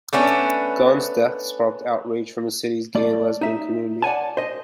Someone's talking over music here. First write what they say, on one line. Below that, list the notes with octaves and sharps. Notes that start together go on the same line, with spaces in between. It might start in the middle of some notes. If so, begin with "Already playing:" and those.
Gunn's death sparked outrage from the city's gay and lesbian community.
A3 B3 C#4 D4
A3 D5
D#4 E5
D5 F#5 G#5 A5
C5 D#5